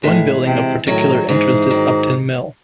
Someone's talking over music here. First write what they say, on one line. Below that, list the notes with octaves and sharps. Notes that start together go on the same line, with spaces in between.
One building of particular interest is Upton Mill.
A2 E3 G#3
C3
A2 D#3 F#3
G#2 E3 G#3
D#3 F#3